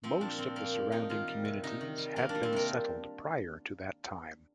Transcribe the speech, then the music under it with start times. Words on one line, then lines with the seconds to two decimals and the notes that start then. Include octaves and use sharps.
Most of the surrounding communities had been settled prior to that time.
0.03 F3 C4
0.21 A#2 D4
0.38 A#2 C4
0.56 F3 A#3
0.74 F3
0.92 A#2 D#4
1.10 D#3 F4
1.27 G3
1.45 C3
1.63 C3 D#4
1.81 D#3
1.98 G3
2.16 D#3 A#3
2.29 D4
2.35 G3
2.43 C4
2.53 C3 A#3